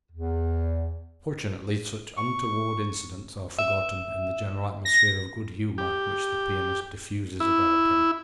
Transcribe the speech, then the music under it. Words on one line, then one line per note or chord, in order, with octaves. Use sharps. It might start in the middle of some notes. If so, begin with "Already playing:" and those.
Fortunately such untoward incidents are forgotten in the general atmosphere of good-humor which the pianist diffuses about him.
E2
C#6
E5
A#6
G4
E4